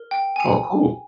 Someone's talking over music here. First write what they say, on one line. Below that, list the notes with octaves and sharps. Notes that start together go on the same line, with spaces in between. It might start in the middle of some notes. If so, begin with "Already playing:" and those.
Oh, cool.
Already playing: A#4
G5
G#5